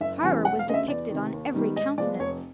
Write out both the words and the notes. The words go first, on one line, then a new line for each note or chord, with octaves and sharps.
Horror was depicted on every countenance.
F#1 E5
E2 C#3 E3 G3 G#5
E1 F#5
F5
D2 C#3 D#5
E5
E2 D5
C3 D#3
D#2
D#3 G3 B3
G#2 D#5
F3 G#3 B3 D5
F1 C#5